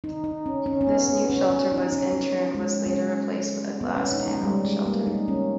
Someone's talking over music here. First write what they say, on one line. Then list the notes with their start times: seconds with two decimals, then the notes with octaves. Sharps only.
This new shelter was in turn was later replaced with a glass panelled shelter.
0.04 D#4
0.24 D#4
0.46 C#4
0.66 C#4
0.81 C#4
0.87 B3
1.08 B3
1.30 C#4
1.50 C#4
1.72 D#4
1.92 C#4
2.13 C#4
2.55 G#3
2.86 C#4
3.81 B3
3.97 C#4
4.12 D#4
4.28 G#3
4.43 G3
4.65 G#3
4.86 A#3
5.07 D#4
5.28 C#4